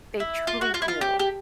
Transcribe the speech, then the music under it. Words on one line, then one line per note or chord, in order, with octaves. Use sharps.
They truly do,
E4
F4
F#4
F4
E4
F4
G4
G4